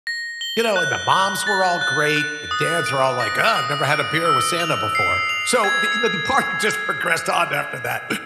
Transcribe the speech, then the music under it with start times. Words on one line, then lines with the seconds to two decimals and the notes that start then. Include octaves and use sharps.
You know, and the moms were all great, the dads are all like, "Oh, I've never had a beer with Santa before." So, the, you know, the party just progressed on after that,
0.07 A#6
0.41 G7
0.76 F#6
1.12 F#6
1.47 A6
1.81 F#6
2.16 F#6
2.51 D#6
2.86 D7
3.20 A#6
3.56 D#6
3.90 D7
4.26 E6
4.60 F7
4.95 C7
5.29 F7
5.64 G#6